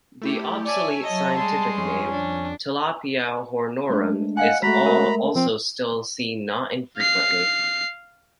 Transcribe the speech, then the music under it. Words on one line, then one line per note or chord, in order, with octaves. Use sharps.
The obsolete scientific name "Tilapia hornorum" is also still seen not infrequently.
A3 E4 G4
C#5 D5 E5 G#5 A5
F#3 D#5 A5
G3 G#3 C6
F2 C#4
D4
G#3 A3 D4
D#5 F5 F#5 G#5 F#6
G#3 A3 F#4 A#5 B5 B6
A#4 E5
F3 C4
F5 C7